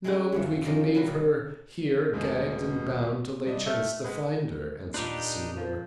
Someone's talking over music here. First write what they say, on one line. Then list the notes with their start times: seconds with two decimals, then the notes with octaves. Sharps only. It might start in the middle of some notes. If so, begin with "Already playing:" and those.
"No; but we can leave her here gagged and bound till they chance to find her," answered the señor.
0.04 G#3 C4 C#4 F#4 B4
0.32 F#2 F3 A3
0.65 D#3 F3 A#3 C#4 D4 A#4
0.95 F#3 G3 C#4 A#4 B4
2.13 D#1 B2 G#3 A3
3.45 G2 D4 D#5
3.66 A3 F6 G6
4.04 G#3 B4 F#5
4.94 A#2 D4 D#4 G4 B4 C5
5.57 F3